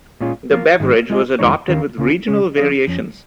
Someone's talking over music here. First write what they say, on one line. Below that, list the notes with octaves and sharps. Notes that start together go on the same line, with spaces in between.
The beverage was adopted with regional variations.
A#2 G#3 C#4 F4
F3 A#3 F4
G#2 D#3 G#3
G#3 F4 G#4 D#5
F2 D#3 G#3 D#4 C#5
D#2 D#3 C#4 A#4 F5
C#2 C#3 A#3 C#4 F4
C#3 G#3 C#4
F3 C#4 G#4 C#5 F5
F2 F3 C#4